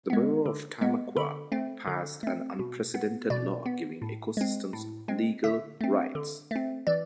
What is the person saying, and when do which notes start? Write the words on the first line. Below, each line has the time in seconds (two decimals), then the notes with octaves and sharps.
The borough of Tamaqua passed an unprecedented law giving ecosystems legal rights.
0.10 G#3 B3
0.46 D3
0.81 G#3 B3
1.17 D3 B5
1.52 A3 C4
1.87 D3
2.23 A3 C4
2.59 B2
2.94 B3
3.30 B2 D5
3.66 B3
4.02 A2
4.37 G#3 C4
4.73 A2
5.08 G#3 C4
5.44 D3 E5
5.81 A3 C4
6.15 D3
6.51 A3 C4
6.87 E3 D5